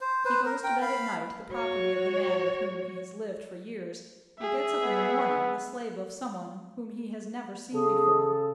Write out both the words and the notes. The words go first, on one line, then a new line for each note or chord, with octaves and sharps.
He goes to bed at night the property of the man with whom he has lived for years, and gets up in the morning the slave of some one whom he has never seen before!
C5
B4 C5
A#4
A#4 G5
F5 B5
F#4 C#5
G#4 E5
B3
C#3 G#4 A4